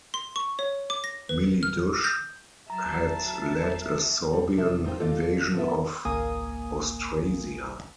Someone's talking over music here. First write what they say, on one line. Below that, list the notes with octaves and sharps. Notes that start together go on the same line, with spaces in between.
Miliduch had led a Sorbian invasion of Austrasia.
C6
C#6
C#5
D6
A#6
B4
F6
G6
F#3 E5 A5 A#5 C7
G3
C3 D4 E5
C4 D#4 F4 C5 G5
F4 A4 D5 D#5 F5
D3 F3 A3 B3 E5
G#1 C#2 A#3 G#5 D#6